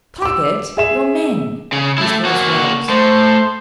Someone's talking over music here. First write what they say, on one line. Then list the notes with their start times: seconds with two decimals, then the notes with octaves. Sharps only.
"Claggett--your men!" his voice rose.
0.22 D6 E6
0.77 G#4 E5 E7
1.72 C#3
1.98 A3 E4
2.25 A#3 F#4
2.89 A2 C5